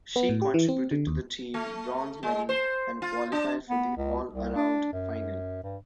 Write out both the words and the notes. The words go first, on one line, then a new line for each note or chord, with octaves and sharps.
She contributed to the team bronze medal and qualified for the all-around final.
B3
A2
G4
E3
C4
D3
D#2
A3
G#3
C5
F4
D4
B3
C#2
C2
D4
F#2
G2